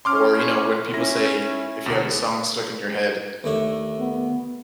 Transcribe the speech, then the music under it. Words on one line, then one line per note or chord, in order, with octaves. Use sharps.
Or, you know, when people say, "If you have a song stuck in your head,
C#4 C6 D6 F6
C#4 E4 A#6
D2 B2
D#2 A3 D4
B3